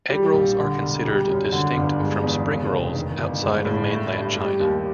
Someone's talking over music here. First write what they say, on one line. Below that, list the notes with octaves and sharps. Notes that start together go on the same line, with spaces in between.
Egg rolls are considered distinct from spring rolls outside of mainland China.
G3
A#1
D3
E1
G3
F#2
D3
G1
G#3
E2
C#3
F1
D#3
G1
G#3
A2
A3
G2
G3
D#2